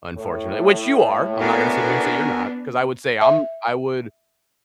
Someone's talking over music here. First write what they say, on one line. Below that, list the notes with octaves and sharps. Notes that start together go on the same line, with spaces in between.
Unfortunate which you are, I'm not gonna sit here and say you're not 'cause I would say I'm I would,
A2
B3 D4 F#4 A#4 G#5
E5